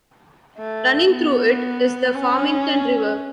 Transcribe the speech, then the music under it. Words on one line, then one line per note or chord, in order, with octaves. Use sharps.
Running through it is the Farmington River.
A3
B3
C#4